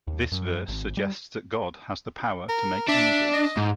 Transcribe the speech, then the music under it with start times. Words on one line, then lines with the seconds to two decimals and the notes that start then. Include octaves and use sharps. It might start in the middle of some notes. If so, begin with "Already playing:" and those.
This verse suggests that God has the power to make angels.
0.07 D#2
0.32 F#2
0.68 G#1
0.97 G3
2.49 A#4
2.88 D4 E5
3.34 D#5
3.57 G#2